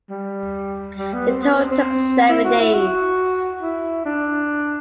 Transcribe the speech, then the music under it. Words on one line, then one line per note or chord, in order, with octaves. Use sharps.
The tow took seven days.
G3
G3
B3
C4
B3
D4
C4
C4
E4
F#4
E4
F#4
E4
D4